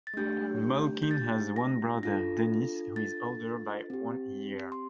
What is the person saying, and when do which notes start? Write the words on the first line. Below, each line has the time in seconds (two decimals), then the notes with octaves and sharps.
Malkin has one brother, Denis, who is older by one year.
0.07 A6
0.17 A3 D4 G4 G6
1.03 G6
1.11 A6
1.56 A#6
2.03 D4 F4 A4 A#6
2.96 A6
3.90 C4 G4
4.72 C6